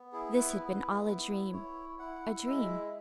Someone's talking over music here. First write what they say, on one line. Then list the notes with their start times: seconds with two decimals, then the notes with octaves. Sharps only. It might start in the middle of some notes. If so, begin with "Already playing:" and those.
This had been all a dream--a dream.
Already playing: B3
0.12 E4 G#4
0.37 B4
0.59 B3
1.06 E4
1.52 E4 C#5
1.99 E4 F#5
2.46 G#3 E5